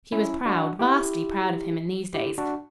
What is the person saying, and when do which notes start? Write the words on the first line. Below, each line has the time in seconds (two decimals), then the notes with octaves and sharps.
She was proud, vastly proud of him in these days.
0.12 C#4 E4
0.45 D4 F#4
0.79 E4 G4
2.14 E4 G4
2.38 D4 F#4